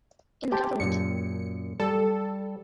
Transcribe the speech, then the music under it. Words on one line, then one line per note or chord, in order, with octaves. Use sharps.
In the Govt.
G4 C5 G5 A5
F#2 A#2 C#7
G3 A4